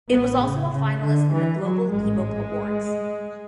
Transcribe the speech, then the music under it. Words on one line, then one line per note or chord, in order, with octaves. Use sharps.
It was also a finalist in the Global Ebook Awards.
A1 A2 B3
C#3
C#3
D3
E3
F#3
A1 G#2 G#3